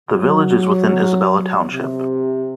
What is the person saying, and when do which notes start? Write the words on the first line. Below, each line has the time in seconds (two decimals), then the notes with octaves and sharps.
The village is within Isabella Township.
0.13 F#3
1.72 C3